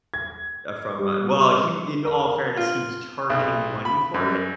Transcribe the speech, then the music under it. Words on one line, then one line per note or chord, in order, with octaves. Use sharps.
uh uh, from, uh well, he w in all fairness, he was charging money for it,
G#6
G3
A#4
F4
B1
B5
F#2